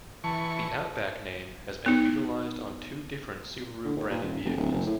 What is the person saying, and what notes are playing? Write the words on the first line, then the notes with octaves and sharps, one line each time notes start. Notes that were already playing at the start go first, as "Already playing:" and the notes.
The "Outback" name has been utilized on two different Subaru branded vehicles.
E3 A5 C#6
B3 D#4
D3
D#2
A#2
D#1
F1
D1
F#1
A2